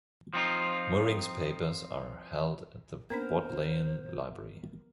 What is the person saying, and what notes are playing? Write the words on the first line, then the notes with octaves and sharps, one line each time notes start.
Mooring's papers are held at the Bodleian Library.
F3 C4 D#4 F4
A#3 B3 C#4 D4 A#4 C5